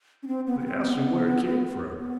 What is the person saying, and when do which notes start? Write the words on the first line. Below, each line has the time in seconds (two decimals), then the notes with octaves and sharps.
They asked him where he came from.
0.23 C#4
0.27 C4
0.47 B3
0.60 B3
0.66 C4
0.84 B3
1.98 B3